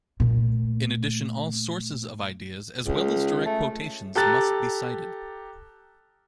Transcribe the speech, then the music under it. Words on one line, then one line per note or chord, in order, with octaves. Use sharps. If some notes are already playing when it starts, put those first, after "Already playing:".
In addition, all sources of ideas as well as direct quotations must be cited.
A#2 A3
C#2
A3
G4 A4 A#5 F#6 A6